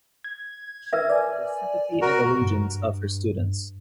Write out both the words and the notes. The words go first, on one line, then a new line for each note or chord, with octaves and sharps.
She won the "sympathy and allegiance" of her students.
G#6
A#4 B4 E5
D5 G#5
F#4 A#4
G2